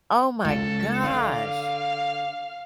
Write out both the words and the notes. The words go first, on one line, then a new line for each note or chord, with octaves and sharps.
Oh my gosh.
C#2 A4
D3 F5